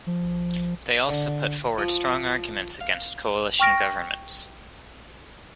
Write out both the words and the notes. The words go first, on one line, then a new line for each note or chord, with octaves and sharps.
They also put forward strong arguments against coalition governments.
F3
D3
F3
F5
G5 C#6 F6 A#6 D7